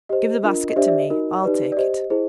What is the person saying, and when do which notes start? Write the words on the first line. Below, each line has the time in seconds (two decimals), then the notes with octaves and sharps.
'Give the basket to me,--I'll take it.'
0.09 G4 C5 D#5
0.43 D4 F4 A#4
0.69 D#5
0.76 D4 G4 C5 D5 E5
0.88 D5 E5
0.99 D#5
1.10 D#4 F#4 A#4
1.43 D#4 G4 B4 D5
1.72 D5
1.77 G4 C5 D#5
2.10 E4 G#4 C5